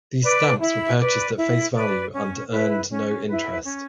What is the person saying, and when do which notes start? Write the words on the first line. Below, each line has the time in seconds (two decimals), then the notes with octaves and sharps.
These stamps were purchased at face value and earned no interest.
0.22 B4 D5
0.59 E4
0.97 B4 D5
1.36 E4
1.74 B4 D5
2.12 C#4
2.50 E4 B4
2.88 C#4
3.26 E4 B4
3.65 C#4